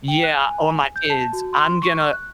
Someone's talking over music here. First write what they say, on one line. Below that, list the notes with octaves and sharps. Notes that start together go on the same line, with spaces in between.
Yeah, or my kids, I'm gonna
G5
F#6
G#5
G6
A5
F#4
C6
C#6
F#6